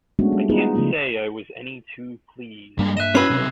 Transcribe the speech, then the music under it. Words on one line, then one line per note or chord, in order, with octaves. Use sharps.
I can't say I was any too pleased.
G#3 A3 B3 C#4 D4 F#4
G3
B3 D#4 F4 G#4 B4
C#3 F3 A3 B3 F4
G2 G3 G#3 A#3 D4
D#5 E5 F#6 D#7 E7
C#4 E4 F#4 B4 E6 G#6 C7
B1 C3